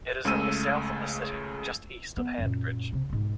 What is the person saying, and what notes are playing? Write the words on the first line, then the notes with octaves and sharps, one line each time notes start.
It is in the south of the city, just east of Handbridge.
C#2 C#3 G#3 A3 E6 D#7
B3
F#2 A#2
C3
G#2 B2